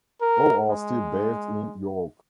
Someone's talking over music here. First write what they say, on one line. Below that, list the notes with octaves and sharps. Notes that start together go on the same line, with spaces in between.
All are still based in York.
A#4
G#3